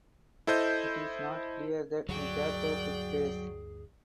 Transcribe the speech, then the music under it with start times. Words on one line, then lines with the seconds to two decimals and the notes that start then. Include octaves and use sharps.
It is not clear that the capture took place.
0.47 E4 A4 C5 D#5 G6
2.09 D2 G2 D3 F#3 G#4 D5 G5